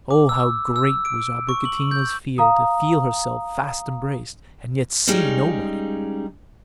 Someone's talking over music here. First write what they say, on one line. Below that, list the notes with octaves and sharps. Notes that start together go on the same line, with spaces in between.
Oh, how great was Abricotina's fear to feel herself fast embraced, and yet see nobody!
D6
E6
E6
D7
C#6
F#7
G6
F5 A#5 D#6
G3 G#3 C#4 D#4 G#4 F5